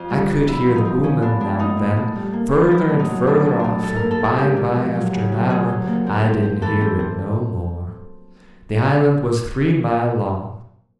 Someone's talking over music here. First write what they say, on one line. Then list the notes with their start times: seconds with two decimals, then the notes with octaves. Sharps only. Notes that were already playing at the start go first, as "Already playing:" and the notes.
I could hear the booming now and then, further and further off, and by and by, after an hour, I didn't hear it no more. The island was three mile long.
Already playing: F2 F4
0.10 G3
0.29 F2
0.47 B3 E4
0.66 F3
0.76 D#4
0.85 F3
1.03 F3 C#4
1.22 B3 D4
1.40 G#3 D4
1.59 A2 D#4
1.77 A2
1.97 A2
2.16 G3
2.33 A#3
2.53 E3
2.70 F#3 E4
2.90 A2
2.99 D#4
3.09 F#3
3.27 A2 D4
3.46 A2
3.59 A2 D4 D#4
3.82 G#2 A4
3.96 A#3 A#4
4.11 A4
4.20 A#3 G#4
4.38 G#2 G4
4.57 G#2
4.75 F3
4.95 F#3
5.13 C#3
5.32 F#3
5.50 D2 G#4
5.69 F#3
5.87 A#3
6.07 C4
6.25 C4
6.43 C4
6.62 E3 A4
6.81 C4
6.99 C4